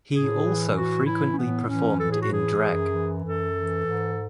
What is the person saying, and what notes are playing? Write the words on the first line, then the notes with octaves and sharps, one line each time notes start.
He also frequently performed in drag.
A2 G#4
E3
A2 F#4
E3 E4
C#4
A2 B3
E3 C#4
A2 A4
G#4
F#4
E3 G#4
F#2
E3
F#2 A4
E3
G#2